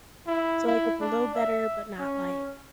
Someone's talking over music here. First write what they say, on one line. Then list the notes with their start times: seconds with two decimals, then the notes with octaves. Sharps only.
So, like, it's a little better, but not, like,
0.27 E4
0.67 E4
1.00 D4
1.35 E5
1.99 C#4